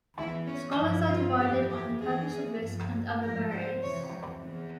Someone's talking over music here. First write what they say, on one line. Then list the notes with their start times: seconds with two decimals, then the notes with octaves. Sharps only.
Scholars are divided on the purpose of this and other barays.
0.18 E2 E3 E4
0.47 C#4
0.78 G2 F3
1.09 F4
1.38 F2 E3 G4
1.70 G4
2.00 E2 E3 G#4
2.61 G2 F3
3.21 G#2 F3 A#4
3.51 C5
3.81 F2 C3 E3 C#5
4.42 E2 E3